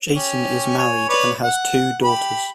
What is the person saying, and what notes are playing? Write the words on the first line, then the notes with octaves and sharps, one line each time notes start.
Jason is married and has two daughters.
C#4 G4
C#5 G#5
B4 C#5 D5
F#5
G4 B5